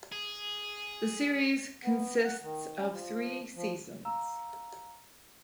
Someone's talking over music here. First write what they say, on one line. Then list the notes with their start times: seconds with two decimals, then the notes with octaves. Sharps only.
The series consists of three seasons.
0.12 G#4
1.83 B3
2.24 F#5
2.42 D#3
2.78 C#4
2.90 F3
3.55 F3
4.05 F5 A#5 E6